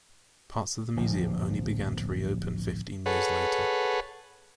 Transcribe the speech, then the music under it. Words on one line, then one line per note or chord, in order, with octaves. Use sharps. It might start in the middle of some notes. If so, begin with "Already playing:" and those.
Parts of the museum only began to reopen fifteen years later.
D1 A#1 A#2 F3
G#4 A4 B4 C#5 F#5